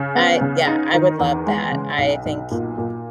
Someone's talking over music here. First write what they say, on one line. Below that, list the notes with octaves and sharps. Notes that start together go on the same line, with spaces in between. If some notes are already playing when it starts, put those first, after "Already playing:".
uh, yeah, I would love that. I think,
Already playing: C#3
B3
C#3
D#4
D#3
E2
G#3
C#3
B1
B1
A#2
A#2